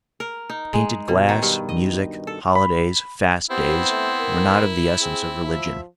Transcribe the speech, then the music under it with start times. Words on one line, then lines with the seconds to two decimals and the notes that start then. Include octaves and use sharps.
Painted glass, music, holidays, fast days, were not of the essence of religion.
0.20 A#4
0.50 D#4
0.74 G#3
1.08 B2
1.29 D#3
1.43 G2
1.69 D#5
2.27 A4
2.55 B5
3.50 B3 C4 E4 G4 C5
3.88 A3
4.20 A#4
5.01 C4 G#4
5.44 F3 E5